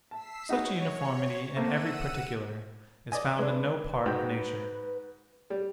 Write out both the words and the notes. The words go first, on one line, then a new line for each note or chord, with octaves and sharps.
Such a uniformity in every particular, is found in no part of nature.
A5 E6 B6 C7
D#4 F#4 G#4 C#5
A3 A#3 C4 F#5 E6 D#7
D5 D#5 G#5
G#3 D4 B4
G#2 F#4 G5
G3